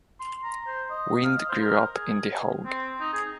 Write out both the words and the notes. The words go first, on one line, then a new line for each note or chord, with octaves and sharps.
Wind grew up in The Hague.
C6
A#5
C5
D#5
F5
D#5
C5
A#4
G#4
C4
D#4
G#4